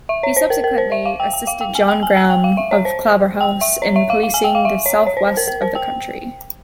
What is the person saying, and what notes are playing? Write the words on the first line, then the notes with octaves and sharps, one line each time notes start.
He subsequently assisted John Graham of Claverhouse in policing the south-west of the country.
E5
C#5
C5
A#4
A#4
C5
E5
F5
G5
G5
F5
G5
G#5
G5
G#5
G#5
G5
F5
E5
C#5
C5
G5
E5
C#5
E5
F5
F5
G#5
G5
F5
E5
C#5
C#5
C5
C5
A#4
A#4
C5
G5